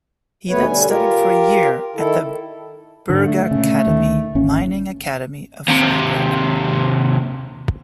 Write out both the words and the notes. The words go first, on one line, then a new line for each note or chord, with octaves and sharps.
He then studied for a year at the Bergakademie, Mining Academy of Freiburg.
D#2 B2 A3 B3 B4 C#5
D3 G3 G#5
F4 G4 A#4
D#3 E4 A4
G#2 D3
A3
A#2 C#3
D2 D#3
G#1 A#3 C#4
D#2 C3